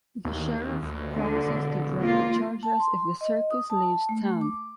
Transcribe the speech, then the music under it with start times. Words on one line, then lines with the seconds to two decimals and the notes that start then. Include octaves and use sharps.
The Sheriff promises to drop the charges if the circus leaves town.
0.25 D#2
0.83 D2
1.15 D3
1.46 E1
2.01 A#3 F4
2.63 A5
2.80 C6
3.21 D#5
3.51 D#6
3.70 A5
4.09 A3
4.41 D6